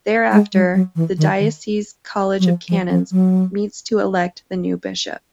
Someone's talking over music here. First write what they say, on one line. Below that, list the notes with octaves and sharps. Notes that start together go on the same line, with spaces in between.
Thereafter, the diocese's College of Canons meets to 'elect' the new bishop.
G#3
G3
F#3
E3
D#3
D#3
F#3
F3
F3
F3
F#3